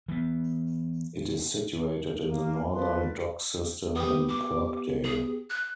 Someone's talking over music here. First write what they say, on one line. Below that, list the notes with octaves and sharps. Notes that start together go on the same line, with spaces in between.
It is situated in the northern dock system in Kirkdale.
E3 B3
A#3
F2 F3 A#4 B4 D5 C6
B3 G4 D#6
D6
G#4
F#6